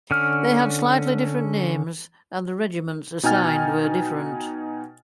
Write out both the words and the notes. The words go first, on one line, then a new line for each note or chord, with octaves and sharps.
They had slightly different names and the regiments assigned were different.
D3 C#4 F6
B2 D#4 G5 G#5 F6 A6